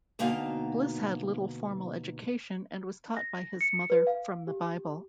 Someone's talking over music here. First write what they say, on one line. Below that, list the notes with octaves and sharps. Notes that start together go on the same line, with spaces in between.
Bliss had little formal education and was taught by his mother, from the Bible.
D2 B2 A#3 D#4 F5 A5
A#6
C#7
B4
F5
G4